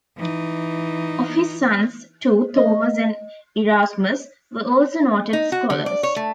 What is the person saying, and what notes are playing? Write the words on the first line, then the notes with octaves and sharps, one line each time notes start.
Of his sons, two, Thomas and Erasmus, were also noted scholars.
E3 D#4
D#5
D#4
F#4
D3
D5
C#5
A3